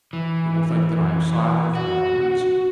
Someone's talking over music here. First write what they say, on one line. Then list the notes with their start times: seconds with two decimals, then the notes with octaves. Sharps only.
She will think that I am silent for that reason.
0.13 E3
1.75 F#4